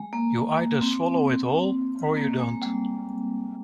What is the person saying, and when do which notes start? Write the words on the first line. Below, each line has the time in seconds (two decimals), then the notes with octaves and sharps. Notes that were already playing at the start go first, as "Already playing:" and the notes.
You either swallow it whole-or you don't.
Already playing: G#3
0.13 A#3
0.81 C4
2.17 A#3
2.40 G#3
2.62 G3